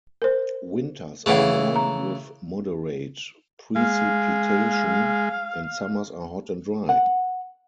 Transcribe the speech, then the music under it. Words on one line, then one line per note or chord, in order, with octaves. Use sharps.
Winters are warm with moderate precipitation, and summers are hot and dry.
A#4 C5
C#3 E3 A3 G#4 F#5
A#5
G#3 F5
F#5